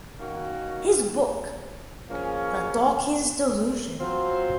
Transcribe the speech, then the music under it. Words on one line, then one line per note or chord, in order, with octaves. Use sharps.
His book: The Dawkins Delusion?
D#3 A#3 C#4 F#4
F3 A#3 C#4 G#4
F#3 C4 F4 C5